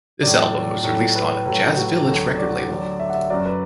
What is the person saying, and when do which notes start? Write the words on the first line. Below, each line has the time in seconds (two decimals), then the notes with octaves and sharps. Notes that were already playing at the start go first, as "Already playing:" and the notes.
This album was released on Jazz Village record label.
0.23 A2 F#3 D5
0.83 A2 F#3
1.15 B4
1.46 A2 F#3
1.77 F#4
2.07 D2 D3 F#3
2.38 D5
2.69 D2 D3 F#3
3.00 E5
3.10 F#5
3.14 E5
3.30 F#2 F#3 D5
3.46 B4